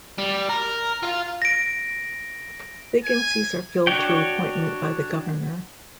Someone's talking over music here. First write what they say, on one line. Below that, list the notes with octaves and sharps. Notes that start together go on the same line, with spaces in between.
Vacancies are filled through appointment by the Governor.
G3
A#4
F4 F5
A#6 D7
G#5
D4 F#4 C#5 G5